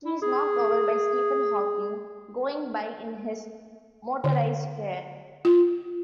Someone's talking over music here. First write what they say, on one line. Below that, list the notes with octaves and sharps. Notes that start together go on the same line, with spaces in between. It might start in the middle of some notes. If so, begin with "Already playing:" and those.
He is knocked over by Stephen Hawking going by in his motorized chair.
E4
G#4
D3
F4